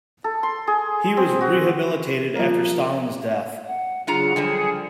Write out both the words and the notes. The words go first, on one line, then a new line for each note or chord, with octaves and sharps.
He was rehabilitated after Stalin's death.
A4
C6
G#4
C4
F#4
F3 A#3
F#5
C#3 F#3 D4 F4 G#4 A#5 C#7
D3 F3 G3 G#4 G5